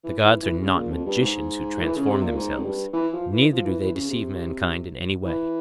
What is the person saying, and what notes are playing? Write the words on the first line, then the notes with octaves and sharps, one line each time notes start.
The gods are not magicians who transform themselves, neither do they deceive mankind in any way.
E3
E3
E3
C#3
A#2
F2
G2
G#2
E3
C#3
C3
A#2
G#2
F2
G2
E3
F3
E3
F3
E3
E3
C#3
C3
E3